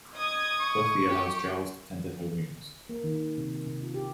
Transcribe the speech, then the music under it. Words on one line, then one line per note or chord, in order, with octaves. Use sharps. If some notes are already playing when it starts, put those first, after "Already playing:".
Buffy allows Giles to tend her wounds.
D#5 D#6 G#6
C#6
G4
A#3
D#3
C3
C3
F4
G4